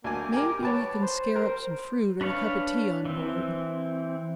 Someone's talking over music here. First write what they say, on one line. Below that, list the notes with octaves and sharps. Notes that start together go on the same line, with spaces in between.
Maybe we can scare up some fruit or a cup of tea on board.
D2 A#3 G#5
G4 A#4 G#5
B4 C#5 A5 D6
C5
A#4 C5
D4 B4 C#5 F5
E3 C4